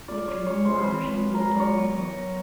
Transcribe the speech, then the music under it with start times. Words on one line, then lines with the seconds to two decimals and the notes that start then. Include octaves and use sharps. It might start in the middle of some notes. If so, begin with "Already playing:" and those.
History no longer shall be a dull book.
0.08 F4 D5
0.27 F4 C#5
0.46 G#3 C#5
0.65 F4 C5
0.77 C5
0.84 C4 B4
1.03 G#3
1.21 F4
1.35 A#4
1.42 G#3
1.55 F#3 C#5 D5
1.78 B3
1.98 B3
2.17 F#3